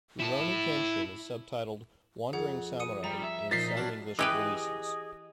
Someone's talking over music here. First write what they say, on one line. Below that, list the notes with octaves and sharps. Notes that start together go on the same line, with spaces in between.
"Rurouni Kenshin" is subtitled "Wandering Samurai" in some English releases.
E4 A5
F2 G#4 F#5
D#6 C#7 D#7
G3 A#5
E5
A#2 F3 D#4 A6 B6 C7
F#3 C#4 D4
E3 G4 G#4 B4 D#5